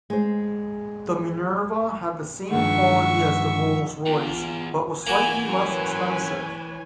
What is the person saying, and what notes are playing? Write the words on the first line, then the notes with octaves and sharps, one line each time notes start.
The Minerva had the same quality as the Rolls-Royce, but was slightly less expensive.
G#3 C5
G2 D#3 F3 G#3 E5 F#5 C#6
E2 F4
E3 A#3 F#4 G#5
F#2 B4 C#5 G#5